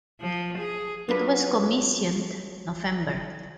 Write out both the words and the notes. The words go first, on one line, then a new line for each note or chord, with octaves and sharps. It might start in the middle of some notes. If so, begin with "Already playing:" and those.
It was commissioned November.
F3
G#4
F#3 D4 F4 B4